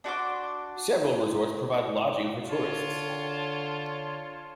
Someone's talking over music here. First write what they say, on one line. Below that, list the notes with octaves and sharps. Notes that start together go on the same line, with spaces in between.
Several resorts provide lodging for tourists.
D4 F#4 C6 D6
D3 F4 C#5 A5